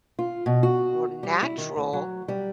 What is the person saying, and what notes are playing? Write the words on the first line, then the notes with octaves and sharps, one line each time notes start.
were natural
F4
B2
F#4
G3
E4
D#3
D2
F#3
G3